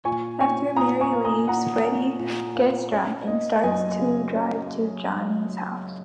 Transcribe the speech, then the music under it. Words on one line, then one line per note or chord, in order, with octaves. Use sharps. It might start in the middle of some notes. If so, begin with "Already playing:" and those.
After Mary leaves, Freddy gets drunk and starts to drive to John's house.
A#2 G#5 C#6
C#4 G#5 C#6
A#2 A#5 D#6
G#5 C#6
A#3
A#5 D#6
A#2 F#5 A#5
C#4
A#2
A#3
C#4 C#5
A#3 D#5
F#2 D#5 G#5
C#3
C#4